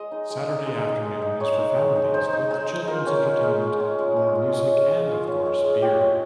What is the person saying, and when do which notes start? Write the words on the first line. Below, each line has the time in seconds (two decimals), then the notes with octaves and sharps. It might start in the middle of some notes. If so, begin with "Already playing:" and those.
Saturday afternoon is for families, with children's entertainment, more music, and of course, beer.
Already playing: G#3 D#5
0.12 D#4
0.30 G#3
0.48 D#4
0.66 G#3
0.85 D#4
1.04 G#3
1.22 D#4
1.40 G#3 C#5
1.59 D#4
1.77 G#3
1.96 D#4
2.14 G#3 C5
2.33 D#4
2.51 G#3
2.70 D#4
2.88 F4 A#4
3.06 C#4
3.25 G#3
3.43 G#3
3.62 F4
3.80 C#4
3.99 G#3
4.16 G#3
4.35 F4
4.53 C#4
4.72 G#3
4.91 G#3
5.09 F4
5.27 C#4
5.46 G#3
5.64 G#3
5.82 F4 G4
6.01 C#4